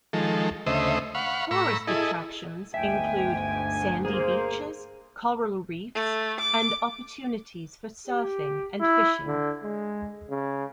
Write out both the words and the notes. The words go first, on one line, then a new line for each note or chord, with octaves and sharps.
Tourist attractions include sandy beaches, coral reefs, and opportunities for surfing and fishing.
D#3 F3 G#3 A4
D2 C#3 A3 C5 D#5 E5
F5 F#5 B5 C#6
A2 A#5 B5 C#6 E6
E4 G#4 A4 D#5
G1 D2 G#2 E5 G5 G#5
A#3 G#4 C5
A3
D6
G4
E4
D3
G#3
C#3